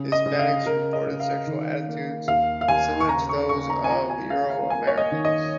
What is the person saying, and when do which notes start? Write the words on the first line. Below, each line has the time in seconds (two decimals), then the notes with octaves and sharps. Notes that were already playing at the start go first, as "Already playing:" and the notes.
Hispanics reported sexual attitudes similar to that of Euro-Americans.
Already playing: C#3
0.12 D#5
0.26 C#3
0.39 F5
0.66 C#3 A#4
0.93 D#5
1.07 C#3
1.20 F5
1.47 D#3
1.87 A#3
2.28 D#2 F5
2.61 F5
2.68 D#2 G#5
3.00 C#6
3.09 C#3 A#5
3.29 C#6
3.49 C#3 C#6
3.70 A#5
3.84 G#5
3.90 F4 A#5
4.10 G#5
4.30 C#4 F5
4.50 F5
4.70 A#3 G#5
4.87 C#5
4.98 D#5
5.12 D#3
5.25 D#5